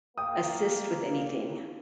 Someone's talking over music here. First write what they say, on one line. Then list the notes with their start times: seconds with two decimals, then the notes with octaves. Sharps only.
assist with anything?
0.18 A#3 G5 D#6